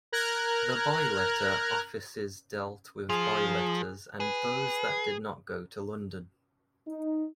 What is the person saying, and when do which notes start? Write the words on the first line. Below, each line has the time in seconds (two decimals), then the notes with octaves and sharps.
The bye-letter offices dealt with bye-letters and those that did not go to London.
0.12 A#4 A#5 F6 F#6 G#6
3.09 F3 G#4
4.20 G#4 B4
6.87 D#4